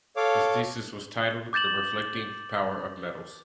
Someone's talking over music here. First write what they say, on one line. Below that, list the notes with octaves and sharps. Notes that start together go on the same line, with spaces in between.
His thesis was titled "The Reflecting Power of Metals".
A4 C#5 F5 D6
D6 G6 A6 E7 F#7